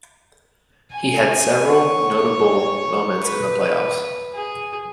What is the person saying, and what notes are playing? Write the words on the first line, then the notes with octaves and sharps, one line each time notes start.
He had several notable moments in the playoffs.
G#5
C#5
B4
G#4